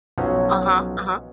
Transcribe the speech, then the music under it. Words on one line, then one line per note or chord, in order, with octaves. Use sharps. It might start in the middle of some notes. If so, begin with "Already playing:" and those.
Uh-huh. Uh-huh.
B1 F3 F#3 C#4